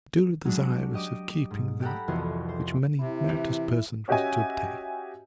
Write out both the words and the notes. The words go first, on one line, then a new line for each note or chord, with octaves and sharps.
Unduly desirous of keeping that which many meritorious persons wish to obtain.
F#3 G#3 C#4 D4
G4 D#5 D6
G#2
G4 A4 D5 F#5 A#5 B5
C2 F2 E3 B3 F#4 C5
C5
C3 E4
E3
C#4 F#4 G4 D#5 E5 G#5